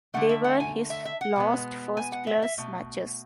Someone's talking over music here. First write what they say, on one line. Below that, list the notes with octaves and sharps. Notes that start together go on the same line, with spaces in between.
They were his last first-class matches.
D3 A3 F#5
E5
F#5
G#5
E5
E5
F#5
B2 G#3 B3
G#5
F#5
E5
E5
B2 A3